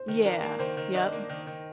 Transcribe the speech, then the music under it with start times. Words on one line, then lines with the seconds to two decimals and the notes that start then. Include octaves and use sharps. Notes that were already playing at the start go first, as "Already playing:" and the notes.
Yeah. Yep.
Already playing: C5
0.08 D#3
0.25 D4 A#4
0.43 A#3
0.59 D#3 C5
0.77 D#3
0.94 D4 D#5
1.12 A#3
1.29 D#3
1.47 D#3